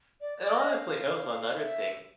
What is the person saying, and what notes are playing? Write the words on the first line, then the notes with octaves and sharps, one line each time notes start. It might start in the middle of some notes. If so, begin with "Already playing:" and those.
And, honestly, it was another thing.
D5
D5
D#5
F5
E5